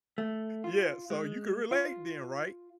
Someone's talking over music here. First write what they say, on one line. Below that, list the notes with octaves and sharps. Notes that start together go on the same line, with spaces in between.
Yeah, so you can relate then, right?
A3
F4
G#3
F4